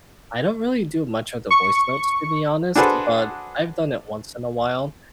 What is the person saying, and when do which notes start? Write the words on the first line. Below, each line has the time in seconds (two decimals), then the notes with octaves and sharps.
I don't really do much of the voice notes, to be honest, but I've done it once in a while.
1.51 C#6
2.76 D4 F#4 G#4 A4 B4 C5